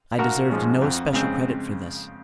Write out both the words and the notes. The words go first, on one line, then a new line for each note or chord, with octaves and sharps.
I deserved no special credit for this.
A#1 F#4 A#4
G#2 F3 G#3 C#4
F2
C#3 G#3 C4